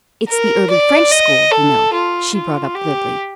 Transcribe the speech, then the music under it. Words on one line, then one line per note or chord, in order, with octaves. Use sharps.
"It's the early French school, you know," she brought up glibly.
A#4
D5
D#5
A4
F4
F4
G4